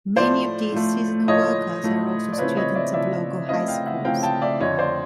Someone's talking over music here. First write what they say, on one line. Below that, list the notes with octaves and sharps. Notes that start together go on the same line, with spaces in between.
Many of these seasonal workers are also students of local high schools.
A2 F3 A3 C5 D5
A2 F3 A3
A2 F3 A3 C#5 D#5
A2 F3 A3
D5
C#3 F3 A3 C4 E4 B4 C#5
C#5 D#5
D5 E5
C#3 F3 A3 C4 E4 D5 E5
C#3 F3 A3 C4 E4 D#5 F5
F5 G5
E5 F#5
C#3 F3 A3 C4 E4 F5 G5
G5 A5
D5 E5
F2 D3 F3 C#5 D#5
C5 D5